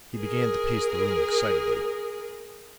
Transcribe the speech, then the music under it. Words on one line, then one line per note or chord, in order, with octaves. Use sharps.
He began to pace the room excitedly.
G#4 A#4